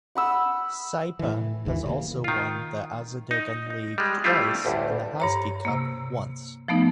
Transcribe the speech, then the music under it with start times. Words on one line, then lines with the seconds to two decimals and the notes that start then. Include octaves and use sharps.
Saipa has also won the Azadegan League twice and the Hazfi Cup once.
0.15 F#5 B5 E6
1.19 A2 E3
1.65 F#1 D#2 G#2 E3
1.86 C3 D#3 A#3
2.24 D#3 F4
3.31 D#4
3.70 D#4
3.98 G3 G#3
4.24 G3 A3 C4 E4 F4
4.65 A1 D2 G2
5.20 G2 C#5 A#5
5.65 C3 A#3
6.68 F3 A3 B3 D#4